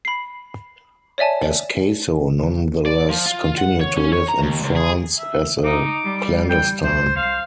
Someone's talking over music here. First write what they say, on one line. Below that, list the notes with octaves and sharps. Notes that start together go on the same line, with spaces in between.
Ascaso nonetheless continued to live in France as a clandestine.
B5 C7
C#5 D5 E5 G#5 A5
D5
F3
F4
F#5
C#5
C#4
C#5
A#5
D#2
C#2
G#4
E5
D#4 D6
G3
G5
C2 C5
C5 F5